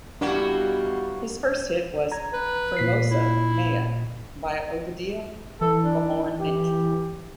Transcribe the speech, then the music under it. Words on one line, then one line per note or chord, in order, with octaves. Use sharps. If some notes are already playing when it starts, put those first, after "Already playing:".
His first hit was "Frumoasa mea" by Ovidiu Komornyc.
B2 G3 A#3 D4 E4 F#4
A#5 G#6
B4
A#2 B6 C7
E4
E3 A4
D4
G4